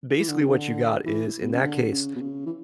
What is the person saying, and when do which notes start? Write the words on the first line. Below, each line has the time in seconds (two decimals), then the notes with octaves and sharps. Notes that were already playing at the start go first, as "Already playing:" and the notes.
basically what you got is, in that case,
0.19 E3
0.29 D3
0.40 C#3
0.49 D3
1.05 E3
1.42 B2
1.52 C#3
1.62 D3
1.91 C#3
2.16 B2
2.21 C#3
2.46 E3